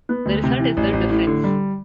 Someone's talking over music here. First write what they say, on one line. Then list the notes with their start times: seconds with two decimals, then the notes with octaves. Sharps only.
The result is the "difference".
0.09 B3
0.26 D2
0.43 C3
0.59 E3
0.77 A1
0.93 A1
1.10 A2
1.27 D3
1.44 G3